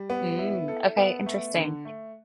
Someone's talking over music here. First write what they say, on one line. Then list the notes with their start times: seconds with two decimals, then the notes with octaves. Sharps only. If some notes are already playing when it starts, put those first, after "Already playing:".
Mm. Okay, interesting.
Already playing: G3
0.10 B3
0.39 E4
0.68 A4
0.97 B3
1.26 A3
1.55 D3
1.85 A3